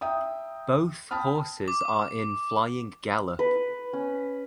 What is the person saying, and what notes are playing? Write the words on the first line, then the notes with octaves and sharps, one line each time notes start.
Both horses are in flying gallop.
E5 G5 A#5 D#6
G5 A5 B5 D#6 F6
D6
B4
C#4